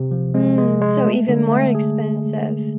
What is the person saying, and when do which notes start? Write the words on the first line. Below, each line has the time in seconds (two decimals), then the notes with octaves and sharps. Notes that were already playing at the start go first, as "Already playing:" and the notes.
Mm, so even more expensive.
Already playing: C3
0.11 F3
0.34 G#3
0.58 G#3
0.81 G#3
1.05 A3
1.28 D3
1.52 A3
1.75 G#4